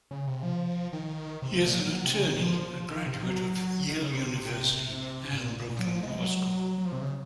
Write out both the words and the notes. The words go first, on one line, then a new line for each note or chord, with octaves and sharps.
He is an attorney, a graduate of Yale University and Brooklyn Law School.
C#3
C3
F3
D#3
C3
C3
A#2
F#3
F#3
C3
C#3
D#3
F3
D#3
C3
F#3
D#3
C#3
C3
C3
G#2
A#2
A#2
F#3
F3
G#3
F#3
F#3
F3
C3
C#3